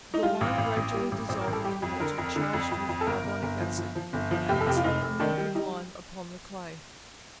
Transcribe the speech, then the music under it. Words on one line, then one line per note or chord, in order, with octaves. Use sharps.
The lime gradually dissolving in water charged with carbonic acid, acts like milk of lime upon the clay.
D#4
G3 F4
A1
A1
A1
G3
A1
A1 C5
A#4
A1
A4
G3 G4
F2
D3 A#4
F2
D3
F2
F2
F2
A4
G1 A#4
G1
G1
F3
F3
F3
G1
F3
F1 G4
A4
F1 G4
F4
F1 D#4
F1
D#3 D4
G3
G3 D#4